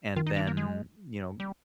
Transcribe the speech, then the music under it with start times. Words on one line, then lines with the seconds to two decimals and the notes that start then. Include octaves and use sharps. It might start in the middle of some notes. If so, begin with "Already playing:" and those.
and then, you know,
0.16 D#3 F4
0.27 D#4
0.37 D4
0.47 A#3
0.57 G#3
1.40 G3